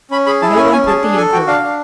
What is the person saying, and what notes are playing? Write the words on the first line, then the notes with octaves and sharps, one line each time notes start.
No one put the inquiry.
C#4 B5
G#4 B5
E4 A5
C#4 G#5
C#4 G#5
G#4 A5
D4
A4 G#5
F#4 G5
D4 F5
D4